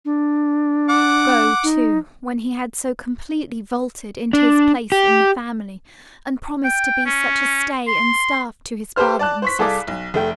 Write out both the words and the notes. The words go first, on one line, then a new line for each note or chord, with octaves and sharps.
Go, too, when he had so completely vaulted into his place in the family, and promised to be such a stay and staff to his father and sister.
D4
F#5 D6
D#4
D4
G4
G5
C#4
C6
G4 A4 B4 C5 F6
D5 A5 F#6
C5 C#6 B6
C2 G#4 A4 D5 F5 D6
B1
F1 A3 G5